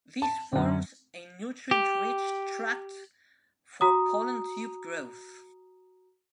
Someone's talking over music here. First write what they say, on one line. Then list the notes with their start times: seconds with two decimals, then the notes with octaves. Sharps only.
This forms a nutrient rich tract for pollen tube growth.
0.22 A5
0.53 F#2 D3
1.71 G4
3.81 F#4 A#5 D#6